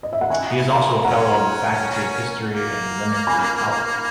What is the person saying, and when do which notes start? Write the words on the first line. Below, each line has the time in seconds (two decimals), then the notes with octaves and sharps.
He is also a fellow of the Faculty of History and Linacre College.
0.03 D#5
0.13 E5
0.21 F#5
0.30 F#4 E5 G#5
0.38 E4
0.48 D#4
0.56 E4
1.04 C#4 F#5 A#5
2.53 A#3
3.27 G#5 B5